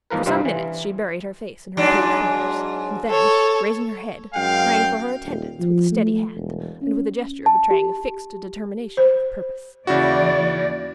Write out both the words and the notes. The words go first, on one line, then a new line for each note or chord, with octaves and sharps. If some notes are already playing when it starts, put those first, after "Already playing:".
For some minutes she buried her face in her cold fingers, and then, raising her head, rang for her attendants with a steady hand, and with a gesture betraying a fixed determination of purpose.
E2 G#2 F3 A#4 B4
C2 G2 G3 C4 F4
E3
G#2 F#3 D4
A4 C#5
F#2 G#3 F5 G5
D#1
F3
A3
E1
C#4
A5
G4
C5
D#2 C#3 E3 E4 F#4 D5